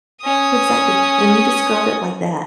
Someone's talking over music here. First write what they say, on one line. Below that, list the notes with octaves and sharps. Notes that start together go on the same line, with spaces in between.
exactly. When you describe it like that,
C#4 D#6